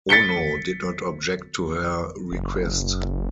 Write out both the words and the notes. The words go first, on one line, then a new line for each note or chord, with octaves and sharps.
Ono did not object to her request.
A6 B6 C#7 G7
F#1